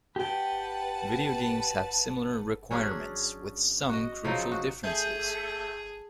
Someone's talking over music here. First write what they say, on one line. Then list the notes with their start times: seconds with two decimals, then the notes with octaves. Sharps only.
Video games have similar requirements, with some crucial differences.
0.16 G4 B4 F#5 G5 A5
2.71 F#3 C#4 D4 G#4
3.89 F#4 D#5
4.24 C#3 F3 F#3 D#4
4.51 F#4
4.84 A3 G#4 G6